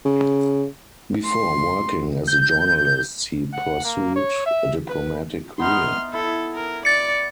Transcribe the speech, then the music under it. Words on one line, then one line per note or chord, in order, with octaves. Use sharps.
Before working as a journalist he pursued a diplomatic career.
C#3
C6
G6
F#5
A#3
C#5
E5
B4
B3 D#4 E5 C6 F6
E4 A4
A#4
D5 A6 C#7